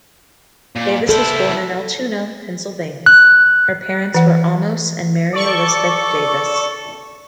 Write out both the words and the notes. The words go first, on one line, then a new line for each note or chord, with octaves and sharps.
Davis was born in Altoona, Pennsylvania; her parents were Amos and Mary Elizabeth Davis.
A#2
E4 A4 C5
F#6
E3 F#5
A4 D5 C#6